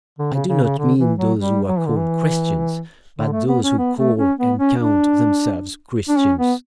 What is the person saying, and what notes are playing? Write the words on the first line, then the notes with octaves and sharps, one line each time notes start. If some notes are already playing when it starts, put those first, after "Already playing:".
I do not mean those who are called Christians, but those who call and count themselves Christians.
D3
C#3
C#3
C#3
D3
E3
F#3
G3
F#3
E3
D3
E3
D3
A3
B3
C#4
B3
A3
C#4
B3
C#4
D4
D4
C#4
B3